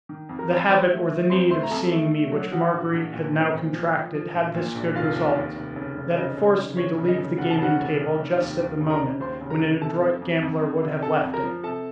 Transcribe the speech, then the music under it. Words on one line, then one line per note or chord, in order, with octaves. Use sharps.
The habit or the need of seeing me which Marguerite had now contracted had this good result: that it forced me to leave the gaming-table just at the moment when an adroit gambler would have left it.
D#3
F2
A#4 A#5
F2
F#3 C5 C6
A3
A3
F2 C5 C6
A3 C5 C6
A#5
F2 A4 A5
A3
A3
F#3
F3 F#4 F#5
A#1
A#1
A#2
C4
A#2
F3
F3
F3
A#1
A#2
A#1
F1 F4 F5
D#2
D#2
F1
C#3
F1
C#3 D#5
C#3
F1
F1 C#5
C#3
D#5
C#3
F1 F#5
A5
C#3 F#4 F#5
F1
F1
F1
D#2
D#2
C#3
A#4 A#5
C#3
D#2 C5 C6
C#3
A#4 A#5
F1
C3 A4 A5
F2
F2
F2
F2
C3
C3 A4 A5
F2
A#4 A#5
F3
C3 A4 A5